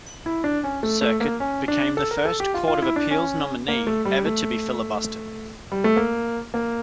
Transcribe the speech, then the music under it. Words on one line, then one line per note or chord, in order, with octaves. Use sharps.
Circuit, became the first court of appeals nominee ever to be filibustered.
E4
D4
C#4
A3
A3
A#3
C#4
D4
A4
A#4
A4
G4
F4
F4
E4
D4
C#4
A#3
A3
G3
A3
G3
A3
A#3
A#3